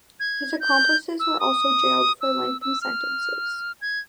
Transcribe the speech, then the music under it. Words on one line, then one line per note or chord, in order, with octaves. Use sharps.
His accomplices were also jailed for lengthy sentences.
G#6
G6
E6
D#6
E6
E6
F6
G#6